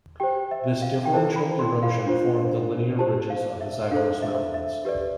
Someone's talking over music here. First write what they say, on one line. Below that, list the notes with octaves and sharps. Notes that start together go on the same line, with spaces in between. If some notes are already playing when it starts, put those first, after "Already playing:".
This differential erosion formed the linear ridges of the Zagros Mountains.
G4 C5 G5
E5
F5
G5
E4 A4 C5 A5
B5
C6
F5
D4 F4 C5
G4 C5 A5
F5
E5
D4 A4 C5 F5
E5
E5
G4 B4 D5